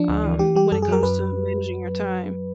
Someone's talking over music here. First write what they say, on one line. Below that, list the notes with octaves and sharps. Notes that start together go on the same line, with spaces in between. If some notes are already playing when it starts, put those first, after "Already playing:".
Um, when it comes to managing your time.
Already playing: F3 D4
D2
E3
E3 G4
G3 G4
F#2 A4
G#4
F#3 A#4
F#2 B4